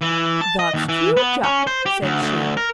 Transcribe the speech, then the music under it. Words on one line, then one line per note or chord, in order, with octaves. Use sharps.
"That's true, Jack," said she.
E3
A5
D#5
D#2
E3
B3
C#4
C5
G4
D2
D2
A#4